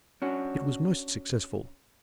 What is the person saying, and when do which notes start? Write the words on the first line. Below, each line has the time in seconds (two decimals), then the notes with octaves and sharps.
It was most successful.
0.22 C#4 D4 F#4